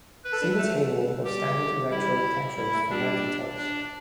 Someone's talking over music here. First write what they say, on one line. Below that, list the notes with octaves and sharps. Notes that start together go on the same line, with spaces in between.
See the "table" of standard electrode potentials for more details.
B4
A4
D4
A3
G3 G4
G3 E4
G3 E4
A3
G3 D4
D4